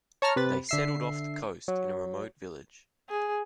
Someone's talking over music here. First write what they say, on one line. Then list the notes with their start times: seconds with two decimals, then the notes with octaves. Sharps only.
They settled off the coast in a remote village.
0.22 C#5 A5 A#5 F6
0.36 C3 B4 A6
0.69 D3 E5 C7
1.68 F#3
3.09 G#4